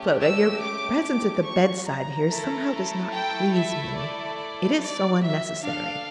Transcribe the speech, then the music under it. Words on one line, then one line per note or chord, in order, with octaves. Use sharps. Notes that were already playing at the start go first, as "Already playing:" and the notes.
'Clodagh, your presence at the bed-side here somehow does not please me. It is so unnecessary.'
Already playing: A3 C#4 G4
E6
D6
D6
C#6
A#5
A3 E4 A4
G5
E5
D5
D5
E5
D4 A4 F5